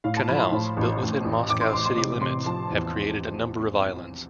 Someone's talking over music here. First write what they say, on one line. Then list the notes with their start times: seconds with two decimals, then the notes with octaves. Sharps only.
Canals, built within Moscow city limits, have created a number of islands.
0.04 A2 F5
0.17 A5
0.28 F3 B5
0.40 C6
0.52 A2
0.77 A1
1.01 A1
1.25 A1
1.49 A1 D6
1.61 C6
1.73 A1 C6
1.86 C6
1.97 C3 D6
2.21 C3 C6
2.46 F3 A5
2.70 E2